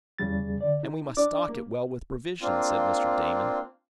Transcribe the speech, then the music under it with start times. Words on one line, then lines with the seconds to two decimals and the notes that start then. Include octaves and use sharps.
"And we must stock it well with provisions," said Mr. Damon.
0.19 E2 C#3 G3 A6
0.61 D3 D5
0.83 D#4
1.17 D4 D5 D6
1.49 A#3
2.41 A#3 C4 D4 F4